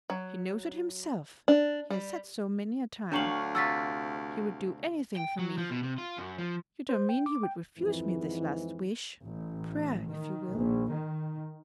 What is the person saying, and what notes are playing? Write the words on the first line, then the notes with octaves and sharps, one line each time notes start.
He knows it himself; he has said so many a time. He would do anything for me; you don't mean he would refuse me this last wish--prayer, if you will.
F#3
D4
G3
D2 F#3 D4 C#5 F5 C#6 F#7
C3 F4 F#4 E6 A6 B6
G5
F#3
F3
B2
C3
F4
F#2
F3
C5
G5
D6
G5
F2 G#2 E3
A1
D#3
A#1
D#3